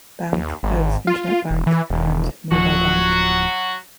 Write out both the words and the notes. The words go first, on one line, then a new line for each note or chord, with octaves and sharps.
Bank has internet bank and mobile bank.
D#2
G#1
F4
E1
E3
E1
D1 F3 F#3 F#4